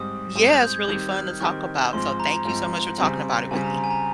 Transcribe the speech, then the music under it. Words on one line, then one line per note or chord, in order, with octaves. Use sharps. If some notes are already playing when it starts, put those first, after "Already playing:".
Yeah, it's really fun to talk about. So thank you so much for talking about it with me.
Already playing: G#2 G3 C4 D#6
G#2 G3 C4
G6
G6
G#6
D#3 G3 C4 G4 G6
F6
D#3 G3 C4 G4 C#6
G#2 F3 C4 C6
A#5
G#2 F3 C4
C#3 G3 C4
C#3 G3 C4 G#5
A#5
A#5
G#5
A#5